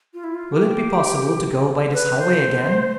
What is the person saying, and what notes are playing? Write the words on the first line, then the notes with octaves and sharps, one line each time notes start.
"Will it be possible to go by this highway again?"
F4
E4
F4
G4
B4
C5